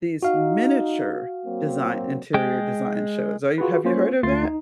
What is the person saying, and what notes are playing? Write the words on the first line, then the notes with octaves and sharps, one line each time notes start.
these miniature design interior design shows. Are you Have you heard of that?
D#4 F#4 F5
F#3 A#3 C4
G#3 G5
F4 F#4 G#4 B4
A#3 C#4 F4 C5 C#5
D2 A3 F4 C6 A6 C7
D#4